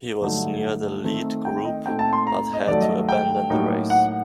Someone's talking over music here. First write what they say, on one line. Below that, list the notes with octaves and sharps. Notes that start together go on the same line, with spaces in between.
He was near the lead group but had to abandon the race.
G2 D3 F#3 A3 D#4
D#3 A3 C4 D#4
G5
D#5
A#2 A3 C4 D#4 G5
A5
C6
A#5
D#5
G2 D#3 F#3 A3 D5
D#5
G5
A2 F#3 A#3 D#4
F#5